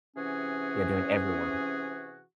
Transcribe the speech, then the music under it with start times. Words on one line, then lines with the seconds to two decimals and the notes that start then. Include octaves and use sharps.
you're doing everyone
0.15 C3 E3 C#4 F#4 G#4